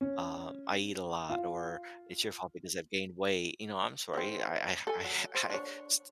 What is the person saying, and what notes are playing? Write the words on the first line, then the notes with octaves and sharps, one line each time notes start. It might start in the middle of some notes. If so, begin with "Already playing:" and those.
um, "I eat a lot," or, "It's your fault because I've gained weight." You know, "I'm sorry. I I I h I h st"
C#4
F4
D#3 C4
A4 G#5
F#3
C5
D4 C#5